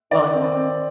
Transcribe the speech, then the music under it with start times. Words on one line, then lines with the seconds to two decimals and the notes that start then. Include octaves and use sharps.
while I walk.
0.11 D#3 D5
0.34 C4
0.55 C4